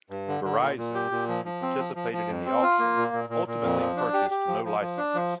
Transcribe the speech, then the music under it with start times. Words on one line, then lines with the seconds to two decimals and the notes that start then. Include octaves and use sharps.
Verizon, who participated in the auction, ultimately purchased no licenses.
0.10 G2
0.28 D3
0.44 D3
0.61 A#2
0.78 A#2
0.95 G4
1.11 A#2
1.28 F3
1.45 F3
1.62 C4
1.78 F3
1.95 F3
2.12 F3
2.29 F2
2.46 C4
2.62 F4
2.79 A#3
2.97 A#2
3.13 A#2
3.29 A#2
3.46 A#2
3.63 F2
3.80 F3
3.97 D4
4.14 G4
4.31 G4
4.47 F3
4.65 F3
4.80 F3
4.97 D4
5.15 F3